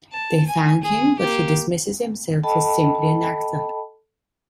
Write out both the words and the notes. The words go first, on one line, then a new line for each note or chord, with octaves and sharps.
They thank him, but he dismisses himself as simply an actor.
A5
G#5
G#4
A#3 G4
A4 D#5 G5 A5 B5